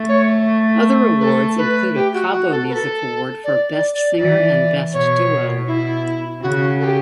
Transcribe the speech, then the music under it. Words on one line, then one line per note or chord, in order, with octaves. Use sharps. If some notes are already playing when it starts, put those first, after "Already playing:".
Other awards include a Cabo Music Award for best singer and best duo.
Already playing: A3
C#5
B4
A4
B4
G4
F#4
F#4
A4
B4
A4
D5
D5
D5
E3 D5
B2 C#5
E4
C#3 F#4
A4
G4